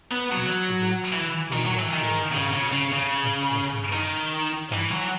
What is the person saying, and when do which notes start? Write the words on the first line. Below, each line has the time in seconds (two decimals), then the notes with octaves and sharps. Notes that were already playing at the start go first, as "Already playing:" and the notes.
And afterwards Leah bore a daughter, and called her name Dinah.
0.12 B3
0.32 F#3
1.12 E3
1.52 D#3
1.66 F#3
1.78 E3
1.92 D#3
2.32 C#3
2.52 C#3
2.72 C#3
2.93 C#3
3.92 D#3
4.73 E3
4.92 F#3